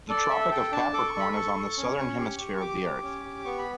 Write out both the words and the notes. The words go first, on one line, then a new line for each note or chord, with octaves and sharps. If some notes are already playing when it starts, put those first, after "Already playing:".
The Tropic of Capricorn is on the Southern Hemisphere of the earth.
A4 D5
A4 E5
A4 G5
D4 A5
A4 D6
C#6
A4
B5
A4 C#6
A4
C#4
C#4
G4
G4
C#6
G4 D6
G4
C#4
G4
B3 C#6
B5